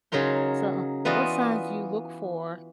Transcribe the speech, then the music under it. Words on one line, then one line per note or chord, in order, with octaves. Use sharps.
So, what signs do you look for
C#3 F#3 D#4 A#4 C6
E3 B3 F4 F#4 D5 D#5